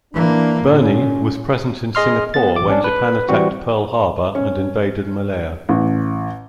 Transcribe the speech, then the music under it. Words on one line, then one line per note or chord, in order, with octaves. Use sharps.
"Burnie" was present in Singapore when Japan attacked Pearl Harbor and invaded Malaya.
E3 A#3 D4
A#2 C#4
G#4 D#5 C6 F6
B3 A6
A1 D6
C#4 D4
B4
E3 G3 C4 F#4
C#4
A1